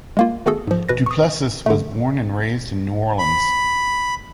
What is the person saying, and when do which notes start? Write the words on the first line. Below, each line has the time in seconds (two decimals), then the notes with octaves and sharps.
Duplessis was born and raised in New Orleans.
0.17 G#3 A#3 F4
0.46 D#3 A3 B3 F#4 G#4 A4
0.67 G#2 F3
0.89 B2 B4 A#6
1.06 C#6 D#6
1.66 D3 A3
3.18 B5